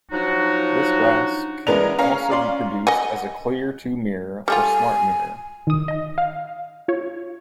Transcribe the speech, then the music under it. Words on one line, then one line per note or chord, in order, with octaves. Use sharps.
This glass can also be produced as a clear to mirror, or smartmirror.
F3 F#3 D4 D#4 F#4
E3 G#3 B3 D4 A#4 F7
C#4 F5 A#5
F4 D5 C6
D#5 F#5 G#5
G3 A3 F4 G#5
D#3 D#6
D#5
F5
F4 C#5